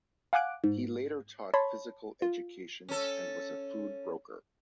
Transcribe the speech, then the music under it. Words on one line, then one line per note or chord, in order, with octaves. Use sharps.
He later taught physical education and was a food broker.
F5 F#5 G#5 D6 F#6 D7
G#2
C#5 A5 B5 C6
F4
C#4 A4